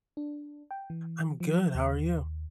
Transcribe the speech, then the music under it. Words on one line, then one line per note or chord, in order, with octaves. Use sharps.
I'm good. How are you?
D4
G5
E3
F3
D#2